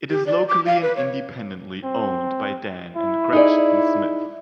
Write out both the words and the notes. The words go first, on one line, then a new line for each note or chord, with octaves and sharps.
It is locally and independently owned by Dan and Gretchen Smith.
G4
D5
D6
F5
B4
C#5
C4
E4
D#4 G#4 D5